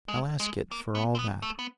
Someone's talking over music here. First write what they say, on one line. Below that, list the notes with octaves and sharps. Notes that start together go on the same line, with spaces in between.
'I'll ask it for all that.
G#3
G#3
A#3
B3
C4
B3
A3
B3